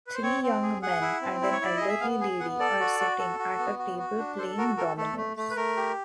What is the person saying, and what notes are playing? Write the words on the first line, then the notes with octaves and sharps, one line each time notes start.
Three young men and an elderly lady are sitting at a table playing dominoes.
B4
C5
C4 C#5
C4
G#4
G#4 F#5
E4
C4
E4
C#5
E4 D5
G#4 D#5
E5
B3 F5
G#4
B3 F#5
A4 D5
F#4
F#4
A4
F#4
B3
F#4
F#4
D4
A4 C5
F#4 A#4
A4 A#4
A3 A4
A3
A3
B4
A3 A#4
G4